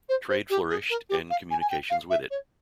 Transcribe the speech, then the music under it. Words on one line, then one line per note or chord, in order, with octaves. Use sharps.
Trade flourished, and communications with it.
C5
C5
G4
G#4
A#4
G4
F5
G#5
G#5
G5
F5
E5
C#5